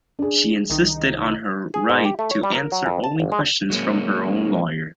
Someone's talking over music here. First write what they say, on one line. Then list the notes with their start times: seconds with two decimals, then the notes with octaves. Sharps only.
She insisted on her right to answer only questions from her own lawyer.
0.19 D4 G#4
0.70 C2 D#3 D#4
1.74 G#4
1.90 G#2
2.05 G4
2.19 A3
2.31 C#5
2.43 G3
2.55 A#4
2.72 F#3
2.86 F2
3.04 A5
3.20 G1
3.32 G#3
3.70 F#3 G#3 A#3 C#4